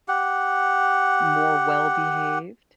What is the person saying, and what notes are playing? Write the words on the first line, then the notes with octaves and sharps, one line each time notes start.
more well-behaved?
G4 F#5